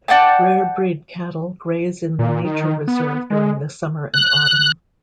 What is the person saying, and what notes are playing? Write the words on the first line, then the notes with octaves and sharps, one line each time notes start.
Rare breed cattle graze in the nature reserve during the summer and autumn.
D5 F#5 G5 A5
A#2
D#3
B3
G#3
F#6